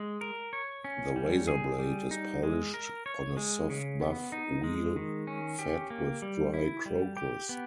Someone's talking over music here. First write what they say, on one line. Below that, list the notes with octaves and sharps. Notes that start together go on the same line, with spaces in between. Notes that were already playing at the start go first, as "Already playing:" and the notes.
The razor blade is polished on a soft buff wheel fed with dry crocus.
Already playing: G#3
A#4
C#5
C#4
G3
G#4
G3
D#4
G#3
A#4
C#5
G#3
C#3
B3
D#4
G#3
D#3
C#4
G4
A#3
G3
E4
G3
G4
B3